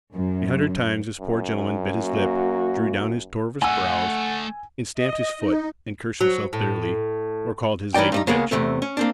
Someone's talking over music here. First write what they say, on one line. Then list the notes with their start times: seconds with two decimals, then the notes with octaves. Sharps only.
A hundred times this poor gentleman bit his lip, drew down his torvous brows, and stamped his foot, and cursed himself bitterly, or called his lady bitch.
0.14 F#2
1.20 F#2
1.98 A#3 F#4
3.62 A3 D#5 F#5 G#5 E6
4.94 D#5
5.38 D#4
6.21 F#3
6.53 A2
7.94 E3 C#4 D#4 D5 G5
8.12 G2 G3 D#4
8.27 C#3 G#3 A#3 B3 C#4
8.51 E2 C3 A3 C4
8.82 C#4
8.97 A#3 C4 D4